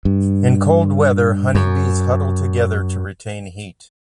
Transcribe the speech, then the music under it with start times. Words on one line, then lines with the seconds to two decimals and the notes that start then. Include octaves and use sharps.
In cold weather, honey bees huddle together to retain heat.
0.05 G2
1.55 F#2